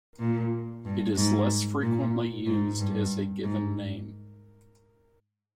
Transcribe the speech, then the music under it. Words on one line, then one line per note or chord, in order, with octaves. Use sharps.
It is less frequently used as a given name.
A#2
G2
G#2
A#2
G#2
G2
G#2